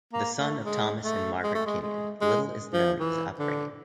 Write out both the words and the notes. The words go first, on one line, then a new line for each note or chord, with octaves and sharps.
The son of Thomas and Margaret Kenyon, little is known of his upbringing.
A#3
A3
G#3
A3
G#3
A3
G#3
G#3
G#3
F3
E3
D3